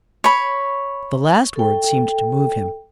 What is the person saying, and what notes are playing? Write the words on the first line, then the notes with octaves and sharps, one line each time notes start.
The last word seemed to move him.
C#5 B5
A4 G5